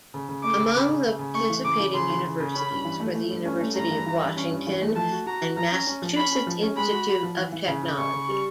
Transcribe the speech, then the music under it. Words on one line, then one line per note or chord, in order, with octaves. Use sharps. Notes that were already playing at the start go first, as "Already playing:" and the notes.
Among the participating universities were The University of Washington, and Massachusetts Institute of Technology.
C#3
C#3
A3 D6
C#3
C#3
C#3
C#3
C#3
A3 C#6
E3
C#3 D6
E3
C#3 C6
E3
C#3
C#3
C#4 B5
G2
E3
A3
A3
G2
C#4
A3
G2 A#5
E3
E3
G2
C#4
G2
E3
A3
F3 A5
F#4
F#4 A#5
F#4
F3 A#5
C#4
C#4
F3
C#4 B5
C#4
F3
C#4
G#3 B5
F#4
F#4
F3
E3
E3
C#3
C#3
C#3 C#6
C#3
G3